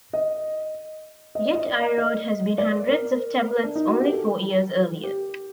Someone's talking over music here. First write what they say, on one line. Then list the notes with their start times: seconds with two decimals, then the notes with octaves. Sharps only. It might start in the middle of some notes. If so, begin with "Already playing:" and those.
Yet Eyraud had seen hundreds of tablets only four years earlier.
0.13 D#5
1.35 D#5
1.46 D5
1.55 D#5
1.66 D5
1.98 D#5
2.58 D5
2.89 A#4
3.64 D4
3.76 D#4
3.88 F#4
4.01 G4
4.13 A4
5.04 G4